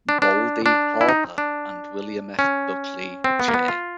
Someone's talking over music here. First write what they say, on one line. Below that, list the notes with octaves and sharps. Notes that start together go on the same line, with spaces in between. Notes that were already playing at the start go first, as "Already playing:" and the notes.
"Baldy" Harper, and William F. Buckley J.
D4
D4
D4
E4
D#4
D4
C#4
C4
B3
A#3
B3
F4